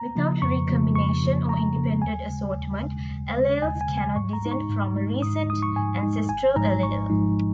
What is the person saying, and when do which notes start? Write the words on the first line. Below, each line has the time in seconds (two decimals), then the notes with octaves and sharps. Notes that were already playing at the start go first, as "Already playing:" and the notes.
Without recombination or independent assortment alleles cannot descend from a recent ancestral allele.
Already playing: A#5
0.15 C#3 F3 A#3
0.42 F2 C#6
0.68 C#3 F3 A#3
0.95 F2 C#6
1.22 C#3 F3 A#3
1.49 F2 A#5
1.75 C#3 F3 A#3
2.02 D#2 G#5
2.29 C#3 G#3
2.55 D#2
2.82 C#3 G#3
3.10 D#2
3.36 C#3 G#3
3.62 D#2 G#5
3.81 G#5
3.89 C#3 G#3
3.98 G#5
4.15 G#2 C#6
4.33 A#5
4.43 G#3 D#4
4.52 C#6
4.70 G#2
4.96 G#3 D#4
5.22 G#2 D#6
5.50 G#3 D#4 D#6
5.62 C#6
5.76 G#2 G#5
6.03 G#3 D#4
6.29 G#1 G#5
6.56 G#2 F3 G#3 D#4 A#5
6.83 G#1 C#6
7.10 G#2 F3 G#3 D#4